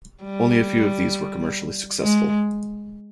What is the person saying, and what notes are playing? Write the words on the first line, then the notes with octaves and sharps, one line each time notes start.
Only a few of these were commercially successful.
G3
G#3